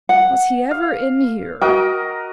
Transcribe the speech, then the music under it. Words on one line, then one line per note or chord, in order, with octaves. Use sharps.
"Was he ever in here?"
F#5
F5
F#4 A#4 D#5 G5